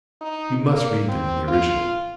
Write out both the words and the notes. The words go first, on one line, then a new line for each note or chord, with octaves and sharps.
You must read them in the original.
D#4
A#3
C4
F4